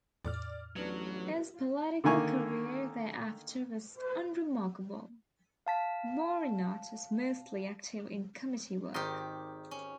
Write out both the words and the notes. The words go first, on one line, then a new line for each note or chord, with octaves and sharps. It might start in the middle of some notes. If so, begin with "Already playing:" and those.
His political career thereafter was unremarkable; Bourinot was mostly active in committee work.
E2 A2 D5 D6 F6
A1 F#3 B3 D4
D3 D#3 A#3 G#5 C#6
F5 A5 B6
G#1 D#3 G4 D#5 C6
C#4